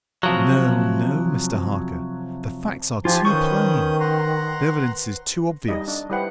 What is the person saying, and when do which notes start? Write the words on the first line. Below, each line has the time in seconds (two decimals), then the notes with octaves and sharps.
No, no, Mr. Harker!--the facts are too plain--the evidences too obvious.
0.23 C3 F3 F#3
3.05 F3 F4 G4 G#5
3.25 D#3 C#4 B4 C5 C#6 D#6 G6
4.00 F#5 A#5 C6
5.68 G3 D#4 D#5
5.88 D4
6.10 G3 E4 B4 C5 F#5 G5